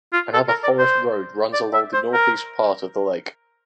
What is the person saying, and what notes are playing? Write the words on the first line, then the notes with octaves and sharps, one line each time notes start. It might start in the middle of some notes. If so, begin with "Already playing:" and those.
Another forest road runs along the northeast part of the lake.
F4
A4
A#4
D5
C5
D5
E5
C5
A#4